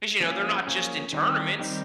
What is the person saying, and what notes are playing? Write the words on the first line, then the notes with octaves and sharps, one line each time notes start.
'cause, you know, they're not just in tournaments.
F3 A#3 C#4 G#4
F3 A#3 C#4 G#4
D#3 G3 C4 D#4 G4
D#3 G3 C4 D#4 G4